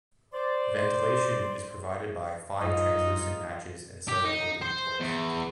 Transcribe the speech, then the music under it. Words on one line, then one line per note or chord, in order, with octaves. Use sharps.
Ventilation is provided by five translucent hatches and seven opening ports.
C5 D5 C6
F#2 D#4 F4 D#5
G4
D#4
C5
E2